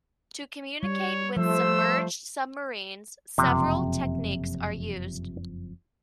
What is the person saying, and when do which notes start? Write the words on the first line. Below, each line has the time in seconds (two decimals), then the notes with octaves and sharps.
To communicate with submerged submarines several techniques are used.
0.83 G3 C#5
1.36 F3 A3 C5 E6
3.38 F#1 F2 C3